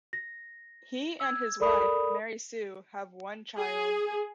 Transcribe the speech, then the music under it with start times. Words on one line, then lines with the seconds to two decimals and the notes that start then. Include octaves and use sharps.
He and his wife Mary Sue have one child.
0.13 A#6
1.20 E6 G#6
1.60 A4 A#4 D5 B5 D#6
3.58 G#4